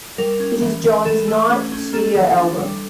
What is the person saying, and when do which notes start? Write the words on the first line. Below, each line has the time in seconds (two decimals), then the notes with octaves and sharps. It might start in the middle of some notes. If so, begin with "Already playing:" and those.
It is John's ninth studio album.
0.18 G3 A#4
0.40 C#4
0.61 E3
0.84 E3
1.05 E3 A4
1.28 A3
1.49 C#4
1.72 C#4
1.93 A#3 A4
2.15 E3
2.38 D4
2.60 G3